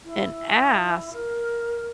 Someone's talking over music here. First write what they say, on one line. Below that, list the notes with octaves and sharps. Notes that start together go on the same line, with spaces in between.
and ask,
E4
A#4